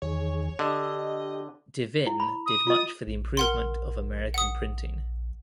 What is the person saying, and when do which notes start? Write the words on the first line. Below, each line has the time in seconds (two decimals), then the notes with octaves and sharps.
De Vinne did much for the improvement of American printing.
0.02 E2 D#3 G#4 C#5
0.59 D3 G4 D#5
2.07 E4
2.20 B5
2.46 D#6
2.67 F4 D#5
3.07 A#1
3.37 A#4 F#5 C6
4.34 F#5 D#6